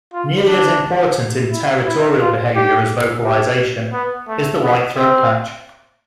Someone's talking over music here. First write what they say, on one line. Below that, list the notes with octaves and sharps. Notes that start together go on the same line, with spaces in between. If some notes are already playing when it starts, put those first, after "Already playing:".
Nearly as important in territorial behaviour as vocalization is the white throat patch.
F4
D4
E4
E4
F4
G4
G4
B3
A3
B3
C4